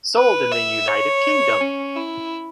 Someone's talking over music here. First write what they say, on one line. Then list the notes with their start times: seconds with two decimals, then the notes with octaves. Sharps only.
Sold in the United Kingdom.
0.15 B4
0.52 E5
0.88 C#5
1.61 C#4
1.96 E4